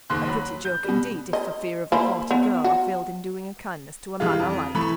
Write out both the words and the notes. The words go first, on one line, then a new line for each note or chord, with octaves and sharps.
A pretty joke, indeed, if, for fear of a haughty girl, I failed in doing a kindness to a man I liked!
F#1 D#2 C6 F#6
F#3 B5
G6
B2 G3
D#5
A#3 C5 B5
B3
F#4
E3 G3 G#3 F4
F2
E3 A3 B5